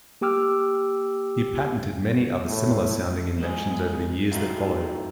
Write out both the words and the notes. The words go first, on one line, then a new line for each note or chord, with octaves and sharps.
He patented many other similar-sounding inventions over the years that followed.
A#3 G4 G5 D6 E6 F6
A2
A#2 G#3 G#4
F#3 A3 C4 D#4 F4